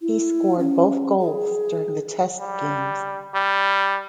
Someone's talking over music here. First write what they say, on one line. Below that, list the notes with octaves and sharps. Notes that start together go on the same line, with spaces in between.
He scored both goals during the test games.
E4
C#4
G#4
G3
G3